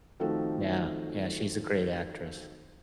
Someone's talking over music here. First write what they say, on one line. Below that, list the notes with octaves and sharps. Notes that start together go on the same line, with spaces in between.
Yeah, yeah, she's a great actress.
D#3 F3 A3 C4 F#4 A4